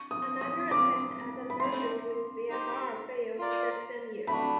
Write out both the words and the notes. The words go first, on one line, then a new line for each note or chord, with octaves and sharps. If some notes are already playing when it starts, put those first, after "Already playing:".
Another attempt at a merger with "VfR" failed that same year.
Already playing: C#6
D#6
D#6
C4 F4 A#4 D6
B5
A3 C4 D#4 C6
D#4 G4 C5
F4 A#4 D5
A3 D4 F#4 B5